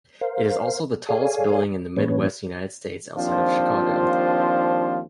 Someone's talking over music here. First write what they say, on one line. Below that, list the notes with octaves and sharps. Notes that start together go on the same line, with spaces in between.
It is also the tallest building in the Midwest United States outside of Chicago.
A#4 C5 F5
G#4 A4 C#5 D5 F5 G#5
A2 E3 A#3 C#4 B4 C#5
D#2 F3 C4 D4 F4 C5